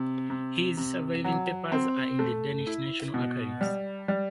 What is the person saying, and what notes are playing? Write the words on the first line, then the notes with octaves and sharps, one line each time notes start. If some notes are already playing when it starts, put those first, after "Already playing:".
His surviving papers are in the Danish National Archives.
Already playing: C3
C3
C3
F#3
C4
A3
E4
B2
G3
G3